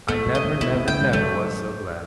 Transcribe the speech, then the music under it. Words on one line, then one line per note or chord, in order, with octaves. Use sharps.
'I never, never, never was so glad!
A3 B3
C4
D#5
B3
B3 E4
B3
B3 G5
G3
F#3 A3